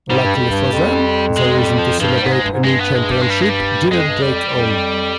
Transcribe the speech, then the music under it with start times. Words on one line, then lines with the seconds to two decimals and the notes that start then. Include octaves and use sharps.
Luckily for them, the reason to celebrate a new championship didn't drag on.
0.10 G#2 G3
0.23 G2
0.36 F2
0.50 G2
0.73 F2
1.37 G#3
1.58 G3
1.78 F3
2.00 G2 F3
2.15 G3
2.22 G#2 B3
2.32 G#3
2.43 G2
2.53 G#2
2.64 G2 G#3
2.80 B3
2.95 G#3
3.11 G3
3.21 G#3
3.30 G3
3.41 G#3
3.49 G3
3.90 F2 G#3
4.07 G2
4.22 F2 G3
4.54 F2